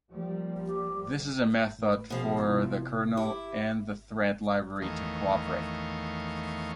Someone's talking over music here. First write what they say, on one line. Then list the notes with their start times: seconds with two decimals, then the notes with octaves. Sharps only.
This is a method for the kernel and the thread library to cooperate.
0.11 F3 G3 A#3
0.67 G4
1.79 A2 B4
2.10 B2 F3 G#4
2.45 C3 E4
3.17 E4 G4 D6
4.82 E2 D#3 A3 C#5 D#5 F5